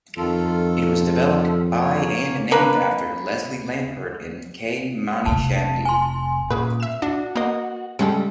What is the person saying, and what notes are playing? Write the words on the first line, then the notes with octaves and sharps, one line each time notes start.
It was developed by and named after Leslie Lamport and K. Mani Chandy.
F2 D#3 F4 A4
A#3 C#5
A#3 D4 B4
F1 C3 A5
G#5 C6
A#2 C#3 G#3 B4
E5 E7
D4 F#4
A#3 B3 D#5
C#3 G3 G#3 C#4 G4 A4 C#7